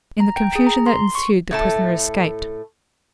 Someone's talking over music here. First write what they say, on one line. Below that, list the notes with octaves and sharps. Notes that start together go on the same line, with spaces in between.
In the confusion that ensued the prisoner escaped.
A#5
G5
G#4
A#5
C6
C#6
A2 A3 A5